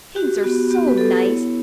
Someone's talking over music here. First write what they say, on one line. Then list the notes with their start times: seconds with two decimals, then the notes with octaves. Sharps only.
"Pigs are so nice!"
0.16 F#4 G4
0.43 B3 F#4
0.70 B3 G4
0.88 B4
0.98 B3 A4
1.25 E4 C#5